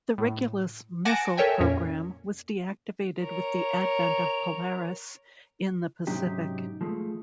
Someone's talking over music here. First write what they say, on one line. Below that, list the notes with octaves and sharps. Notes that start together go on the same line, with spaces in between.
The Regulus missile program was deactivated with the advent of Polaris in the Pacific.
A2
F#5 G#5 A5 D6 A#6 D7
A4 A#4 C#5 E5 G5 G#5
F2 A#2 A#3 C#4
A#4 C#5
G#2 C3 F#3 C#4 D#4 G4
F3 G#3 A3